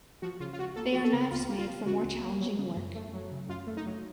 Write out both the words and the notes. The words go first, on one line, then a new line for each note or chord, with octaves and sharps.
They are knives made for more challenging work.
F3 F#4
C#3 F4
F4
C#2 F#4
A#3 A4
F3 F#4
A4
C#3
C#2 F4
A#3
F4
F3
C#3 F#4
C#2
A#3
F#3
C#3
F#2
A3
F#3
C#3
F#2 F4
A3
D#4
F#3